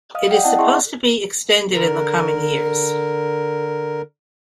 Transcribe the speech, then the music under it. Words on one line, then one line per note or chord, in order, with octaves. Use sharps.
It is supposed to be extended in the coming years.
D#5 F5 D#6 F6
D5 F#5 G5 D#6
C4 E4 D5 D#5 F#5 A5
E4 G#4 E5 A5 C6 C#6
D3 A#4